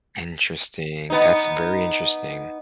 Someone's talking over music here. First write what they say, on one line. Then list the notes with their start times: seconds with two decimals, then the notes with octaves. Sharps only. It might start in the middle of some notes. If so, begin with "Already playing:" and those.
Interesting, that's very interesting.
1.10 B3 D#4